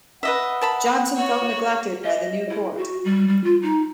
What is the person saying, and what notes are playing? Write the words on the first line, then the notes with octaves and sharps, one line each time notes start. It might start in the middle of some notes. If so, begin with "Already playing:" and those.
Jonson felt neglected by the new court.
B4 D#5 E5 F#5
A#4 A5 B5
F#4 C#5
D#5
E4
F#4
G3
G3
F4
D#4